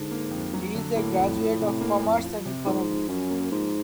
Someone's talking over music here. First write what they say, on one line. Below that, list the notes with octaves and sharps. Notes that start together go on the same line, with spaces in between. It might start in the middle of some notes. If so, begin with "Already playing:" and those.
He is a graduate of Commerce and Economics.
Already playing: G#2 D3
A#3
F2
F#3
D3
A2 A#3
F2
F3
C3
A#3
F2
F3
C3
G#2 F3
F3
F#2 C#4
A#3
G#2 F3